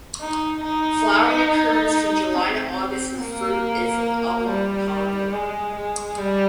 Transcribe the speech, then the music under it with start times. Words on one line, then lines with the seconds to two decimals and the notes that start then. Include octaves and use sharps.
Flowering occurs from July to August and the fruit is an oblong pod long.
0.21 D#4
0.63 D#4
2.34 C4
3.20 A#3
4.48 G3
5.33 G#3
5.75 G#3
6.18 G3